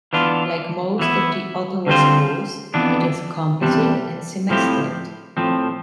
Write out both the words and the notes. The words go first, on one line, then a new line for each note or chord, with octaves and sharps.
Like most of the Ottawa schools, it is composite and semestered.
E3 B3 D4 F4
E3 B3 E4
D3 G3 C4 F4 C5
F2 E3 B3 D4
E2 C3 G3 D4
A2 F3 C4 E4 G4
A2 F3 C4